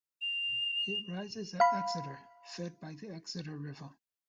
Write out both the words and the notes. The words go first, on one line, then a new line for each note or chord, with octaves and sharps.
It rises at Exeter, fed by the Exeter River.
F7
F5 B5